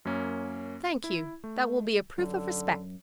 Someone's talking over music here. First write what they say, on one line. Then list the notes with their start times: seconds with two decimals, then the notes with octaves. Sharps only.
"Thank you; that will be a proof of respect."
0.05 F#2 A#3 C#4
1.04 E4
1.44 A3
2.18 F#2 D3